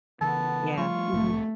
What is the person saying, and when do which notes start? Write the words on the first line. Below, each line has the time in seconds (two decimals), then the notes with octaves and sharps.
Yeah, mhm.
0.21 C#3 E3 B3 A5
0.77 F3 G3 A3 F4 C#6
1.13 C2 A2 C3 A3